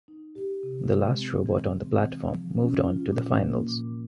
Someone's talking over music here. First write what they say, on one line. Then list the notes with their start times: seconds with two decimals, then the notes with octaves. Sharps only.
The last robot on the platform moved on to the finals.
0.08 D#4
0.35 G4
0.63 C3
0.91 G#3
1.19 C4
1.46 E3
1.74 C4
2.02 E3
2.29 F3
2.57 C#4
2.85 F4
3.13 A#2
3.40 A#3
3.68 A#2